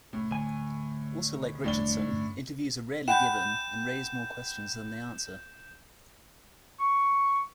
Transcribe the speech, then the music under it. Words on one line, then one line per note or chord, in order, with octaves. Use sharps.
Also like Richardson, interviews are rarely given and raise more questions than they answer.
C2 A2 C#4
D2 D3 G#5
E1 A2 G3 D4 G7
G2 C#4
F#5 G5 B5 G6 E7
C#6